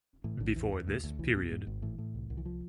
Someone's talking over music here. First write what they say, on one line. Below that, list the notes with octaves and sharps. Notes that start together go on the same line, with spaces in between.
Before this period.
A2 E3
A1 D3
E2 E3
E2
D2
D2
B1 E3
B2
G#2
G#1
A2 E3
A2
C2
C2
E3
F3